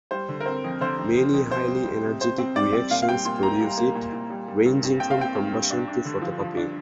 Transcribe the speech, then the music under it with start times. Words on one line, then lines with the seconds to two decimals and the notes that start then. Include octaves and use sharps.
Many highly energetic reactions produce it, ranging from combustion to photocopying.
0.11 G3 C5
0.29 D3
0.40 A#4
0.46 C4 C5
0.64 F2
0.81 D3 C5
0.99 F2
1.16 F2
1.33 F2
1.50 C3 C5
1.68 G3
1.85 G3
2.03 C3
2.21 C3 C5
2.38 C4
2.56 G3 D5
2.73 C4
2.90 A#2 F5
3.02 F5
3.08 G3 G5
3.25 A#2 C6
3.43 A#3 A#5
3.60 G3
3.77 A#3
3.95 A#2
4.13 A#2
4.30 G3
4.48 G3
4.65 G2
4.83 G2
5.00 C4 G5
5.11 F5
5.18 C4 G5
5.35 G2
5.53 G2
5.70 D4
5.88 D4
6.05 D3
6.22 F3
6.40 F3
6.57 D4